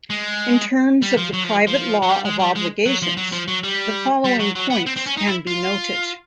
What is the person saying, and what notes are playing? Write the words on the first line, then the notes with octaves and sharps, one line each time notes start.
In terms of the private law of obligations, the following points can be noted.
G#3
G3
F3
F#3
F3
F3
F#3
G3
G#3
G3
G#3
F#3
F3
F#3
F3
F#3
G3
G3
F#3
F#3
B3
C4
C4
C#4
D#4
E4
F4